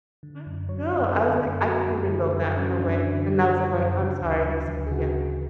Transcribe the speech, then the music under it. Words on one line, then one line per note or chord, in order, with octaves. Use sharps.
But still, I was like, "I couldn't rebuild that. No way." And I was like going, "I'm sorry. This is" Yeah.
D3
F#2
F#3 C#5
F#2
B4
D3 A4
F#2
F#3 F#4
F#2
D3 E4
F#2
F#3 C#4
F#2 D4
D3
F#2
F#3
F#2
C#3
D2
F#3
D2
G#4
C#3 F#4
D2